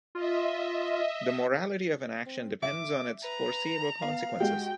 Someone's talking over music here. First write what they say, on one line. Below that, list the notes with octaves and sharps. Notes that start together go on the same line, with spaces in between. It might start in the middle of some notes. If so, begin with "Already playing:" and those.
The morality of an action depends on its foreseeable consequences.
F4 D#5 E5
C4
E5 D6
B4 A#5
B3 F5
G#3 F#4 G4 G5